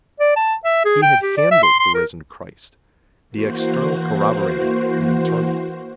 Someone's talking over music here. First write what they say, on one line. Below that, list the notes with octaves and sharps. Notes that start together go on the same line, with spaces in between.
He had handled the Risen Christ, the external corroborated the internal.
D5
A5
E5
G#4
G5
G4
D5
E5
C6
C6
A#4
E3 A#3 F#4 C5